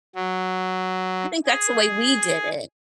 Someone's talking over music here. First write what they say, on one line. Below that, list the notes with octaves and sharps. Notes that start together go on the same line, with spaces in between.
I think that's the way we did it.
F#3
G#4